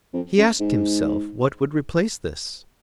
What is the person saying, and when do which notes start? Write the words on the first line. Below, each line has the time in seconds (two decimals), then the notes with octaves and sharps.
He asked himself what would replace this.
0.13 F2
0.37 F#2
0.60 G#2